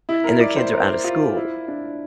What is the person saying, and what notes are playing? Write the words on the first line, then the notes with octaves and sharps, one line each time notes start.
and their kids are out of school,
E4
A#4
D5
C5
A#4
F4
E4
D4